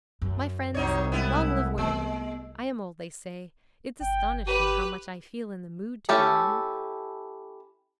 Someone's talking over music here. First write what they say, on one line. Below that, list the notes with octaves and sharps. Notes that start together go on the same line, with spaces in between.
My friends, long live women! I am old, they say; it's astonishing how much I feel in the mood to be young.
F#2
C2 F#3 D#4 C#5
G#3 B3 E4
G#3 A3 B3
G1 G5
G4 B4 D#7
A3 C#4 E4 G4 A4